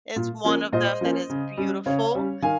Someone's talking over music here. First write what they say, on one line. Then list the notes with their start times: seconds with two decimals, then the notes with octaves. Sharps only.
is one of them that is beautiful,
0.16 A#2
0.44 F3 A#3 C#4
0.73 A#2 C5 D#5
1.01 F3 A#3 C#4
1.30 C#3
1.57 G3 C#4
1.86 C#3 C#5 F5
2.15 G3 C#4
2.42 D#3 F5 G#5